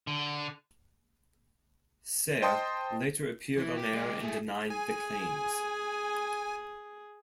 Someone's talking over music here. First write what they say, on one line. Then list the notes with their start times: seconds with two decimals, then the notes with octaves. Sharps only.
Sayer later appeared on air and denied the claims.
0.07 D3
2.42 C5 D#5 G5 A5 C6 D#6
3.58 E3
3.77 G4
3.93 G#3 G4
4.20 A3 G#4
4.70 G#4 G#5